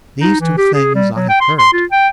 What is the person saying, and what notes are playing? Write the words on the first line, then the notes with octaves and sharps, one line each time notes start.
These two things I have heard.
D#4
E3
G4
G#4
G3
F#3
G5
C6
C6
F4
G5